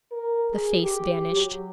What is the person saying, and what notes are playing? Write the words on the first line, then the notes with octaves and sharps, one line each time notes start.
The face vanished.
A#4
G#4
G4
F#3